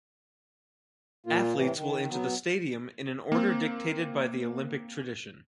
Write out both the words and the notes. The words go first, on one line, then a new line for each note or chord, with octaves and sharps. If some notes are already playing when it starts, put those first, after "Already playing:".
Athletes will enter the stadium in an order dictated by the Olympic tradition.
A#2 A#3 F4
A2 C3 E3
D#3
F#3 B3
A#3 C4